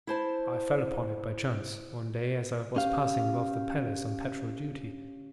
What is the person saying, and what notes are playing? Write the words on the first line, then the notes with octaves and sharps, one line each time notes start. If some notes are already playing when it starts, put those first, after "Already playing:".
I fell upon it by chance one day as I was passing above the palace on patrol duty.
E4 C5 A5
C#4 G4 F5